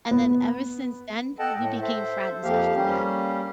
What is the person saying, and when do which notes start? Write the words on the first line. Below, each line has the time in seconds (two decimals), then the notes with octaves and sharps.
And then ever since then, we became friends after that.
0.11 B3
1.39 A4 D#5 F#5 G5 A5
1.56 A2
1.81 A4 C5 E5
2.43 F2 F3 A#3 G4 F5
2.75 G3 A#3 C#4 G4